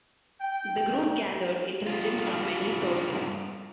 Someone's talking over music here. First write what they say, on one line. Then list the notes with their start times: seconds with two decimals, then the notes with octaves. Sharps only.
The group gathered intelligence from many sources.
0.41 G5
1.87 G2 F4